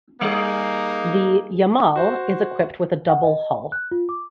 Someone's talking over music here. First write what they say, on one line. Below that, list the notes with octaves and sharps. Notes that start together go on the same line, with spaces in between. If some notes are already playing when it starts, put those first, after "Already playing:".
The "Yamal" is equipped with a double hull.
G3 A#3 D#4 G#4
F#4 C5
F#5
D#5
F#6
F4
D6